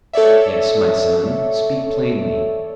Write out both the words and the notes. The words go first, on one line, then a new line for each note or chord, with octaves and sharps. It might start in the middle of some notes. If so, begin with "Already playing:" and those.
"Yes, my son, speak plainly."
A4 C#5 D5 E5